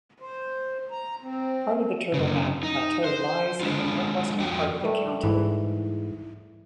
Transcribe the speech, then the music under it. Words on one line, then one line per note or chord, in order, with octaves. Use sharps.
Part of the Turtle Mountain plateau lies in the northwestern part of the county.
C5
A#5
C4
F#2 C#3
D#4
C5
G#3 D4 F4
F2 F3 F#4 G5
G3 A3
G#2 E3